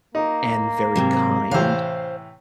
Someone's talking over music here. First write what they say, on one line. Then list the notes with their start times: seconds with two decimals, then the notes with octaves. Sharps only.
and very kind,
0.15 A#3 D#4
0.96 G#2 C3 F#3
1.51 A2 C3 E3 C5 F5